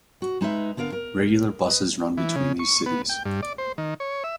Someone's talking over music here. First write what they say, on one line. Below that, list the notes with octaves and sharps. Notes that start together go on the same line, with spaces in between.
Regular buses run between these cities.
F#4
G#3 D#4 B4 E5
D3 B3 A#4 F5
A#4
B4 D#5
E3
C#3
C#6
B3
G5
G2
D5
C5
D#3
C#5
E5